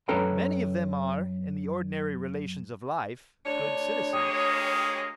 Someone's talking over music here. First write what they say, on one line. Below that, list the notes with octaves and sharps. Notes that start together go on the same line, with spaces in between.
Many of them are, in the ordinary relations of life, good citizens.
F#2 C#4 A4 B4 G5 A#5
D2 D4 C#5
G#3 A#3 C#4 G4 D#6